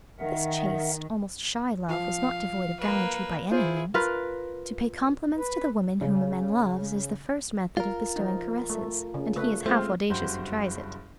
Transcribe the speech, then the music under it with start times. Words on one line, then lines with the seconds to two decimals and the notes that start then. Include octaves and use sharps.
This chaste, almost shy love was not devoid of gallantry, by any means. To pay compliments to the woman whom a man loves is the first method of bestowing caresses, and he is half audacious who tries it.
0.19 D#3 A#4 E5 F#5
1.89 F3 F5
2.80 A#3 B4
3.51 E4 F4 G#4 C5
3.94 F4 A#4 B4
5.38 B4
6.01 C#3
7.77 F4 A#4
8.16 F3 D#4
8.70 A3
9.14 C#3
9.36 C#3 A3 B4
9.66 G#3 A3 C4 F4 C5
10.10 F#1 G2 F#4 G4 C5 G6